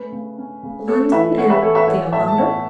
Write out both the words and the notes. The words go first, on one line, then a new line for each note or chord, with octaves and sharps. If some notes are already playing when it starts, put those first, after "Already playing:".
'London and the Alhambra!'
Already playing: A3 C#4 B4
C#3
C#4
C#3
A3 A4 C#5
E3 B4 E5
C#4 C#5 F#5
B4 E5
E3 A4 C#5
B4 E5
E3 C#5 F#5
A2 E5 A5
A5
B3 C#5 F#5